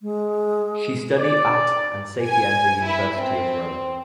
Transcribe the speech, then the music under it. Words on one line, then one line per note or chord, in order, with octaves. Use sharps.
She studied at and Sapienza University of Rome.
G#3
D5
G#5
E4
C4